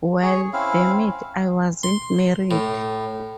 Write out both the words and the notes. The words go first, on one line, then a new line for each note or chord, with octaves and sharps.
Well, damn it, I wasn't married.
G#4 C#5
C4 C#4 E4 F5
C6
A2